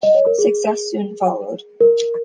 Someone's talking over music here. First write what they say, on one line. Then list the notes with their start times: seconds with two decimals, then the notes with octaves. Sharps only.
Success soon followed.
0.03 D#5
0.15 C#5
0.27 A#4
0.38 G#4
1.81 A#4